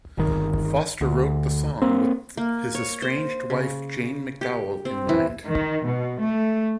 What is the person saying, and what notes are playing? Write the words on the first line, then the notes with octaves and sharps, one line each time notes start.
Foster wrote the song with his estranged wife Jane McDowell in mind.
G1 D#3
D2
A#3 C4
A#3
C#5
C5
C#3
G4
C4
E3
D#3
B2
A3